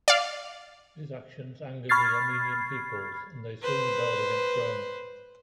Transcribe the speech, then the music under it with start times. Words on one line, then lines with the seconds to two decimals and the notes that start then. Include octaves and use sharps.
These actions angered the Armenian peoples and they soon rebelled against Rome.
0.08 D5 F5
1.89 B5 C#6 F6 G#6 A6 C7
3.62 B4 C5